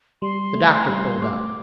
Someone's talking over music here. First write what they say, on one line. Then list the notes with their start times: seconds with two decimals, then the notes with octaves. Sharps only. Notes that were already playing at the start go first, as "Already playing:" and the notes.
The doctor pulled up.
0.22 G3 C6
0.55 A3
0.83 A#5
0.89 G3 C6
1.22 A3 D6